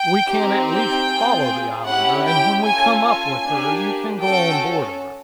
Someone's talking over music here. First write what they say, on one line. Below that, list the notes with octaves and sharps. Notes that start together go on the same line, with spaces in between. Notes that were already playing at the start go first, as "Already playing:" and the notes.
"We can at least follow the Islander, and when we come up with her you can go on board of her."
Already playing: G5
C4 D#4 G4
G5
C4 F4 G#4
C#4 E4 G4 F#5
G5
C#4 F4 A4 G#5
G#5
A#3 D4 G4
C#4 F#4 A4 G5